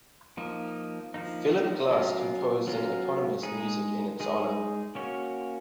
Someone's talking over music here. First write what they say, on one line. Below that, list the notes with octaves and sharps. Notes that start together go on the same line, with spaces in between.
Philip Glass composed an eponymous music in its honor.
F3 A#3 D#4
F3 A#3 D#4
F#3 C#4 F4 A#4
F#3 C#4 F4 A#4
G#3 D#4 G#4
G#3 D#4 G#4
A#3 C#4 F#4 C#5